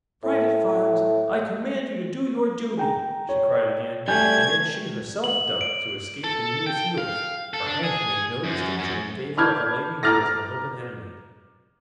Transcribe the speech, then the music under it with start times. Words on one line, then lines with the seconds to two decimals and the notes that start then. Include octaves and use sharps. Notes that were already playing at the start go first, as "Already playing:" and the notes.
"Private Files, I command you to do your duty!" she cried again, and then she herself ducked to escape the mule's heels--for Hank made no distinction in favor of a lady who was an open enemy.
0.23 A2
2.78 G#4 G5 A#5
3.29 C#5
4.08 G3 A3 G#5 G6 G#6
5.24 F#7
5.61 D7
6.24 A4
6.67 G5
6.98 F5
7.53 A4
7.67 D4
7.83 G#4
8.44 F#2
8.79 F#2
9.37 A5 B5 D6 F6 G6 G#6
10.03 A#5 D6 F6 A6 A#6